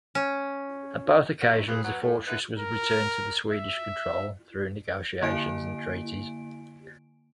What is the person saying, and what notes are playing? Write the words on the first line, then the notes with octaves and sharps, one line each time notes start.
At both occasions the fortress was returned to Swedish control through negotiations and treaties.
C#4
F#4
F2 G#3 A3 D#4
E3 C4 F4 G#4
F#3 B3
A2
D3 D#4 E4 B4
A#4
E5
D3 A#3 E4 G#5 D7